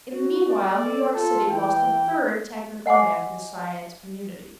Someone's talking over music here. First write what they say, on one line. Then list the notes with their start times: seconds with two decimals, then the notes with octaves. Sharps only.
In the meanwhile, New York City lost a third technical man to the Science Community.
0.12 F#4
0.49 D5
0.80 A4
1.14 F4 A4
1.50 E3 G5
2.86 D#5 F#5 G#5 C6 D6